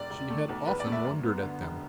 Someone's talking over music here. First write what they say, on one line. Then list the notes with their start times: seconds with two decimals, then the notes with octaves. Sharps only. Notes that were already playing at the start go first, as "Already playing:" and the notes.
She had often wondered at them!
Already playing: E1 D5
0.10 E1
0.30 A3
0.49 B1
0.67 E2 B4
0.80 D5
0.86 A3
0.92 E5
1.05 F#2
1.23 B3
1.42 D3
1.62 E1